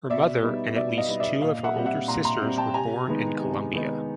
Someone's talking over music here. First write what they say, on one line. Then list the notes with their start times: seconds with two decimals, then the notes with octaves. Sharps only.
Her mother and at least two of her older sisters were born in Colombia.
0.10 B2 D5 E5
0.43 G3 B3 D#4
0.76 B2 D5 E5
0.98 D#5 F5
1.09 G3 B3 D#4
1.20 D5 E5
1.42 A#2 D#5 F5
1.64 E5 F#5
1.75 G3 C4
1.86 E5 F#5
2.08 A#2 A#5 C6
2.25 A#5 C6
2.42 G3 C4
2.58 G5 A5
2.74 C3 G#5 A#5
3.08 D#3 G#3 B3 D#4
3.40 C3
3.74 D#3 G#3 B3 D#4